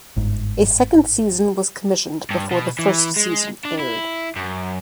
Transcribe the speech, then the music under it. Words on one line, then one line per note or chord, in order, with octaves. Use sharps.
A second season was commissioned before the first season aired.
G1 G#2
G2
B2
E3
G#3
D4
E4
F#2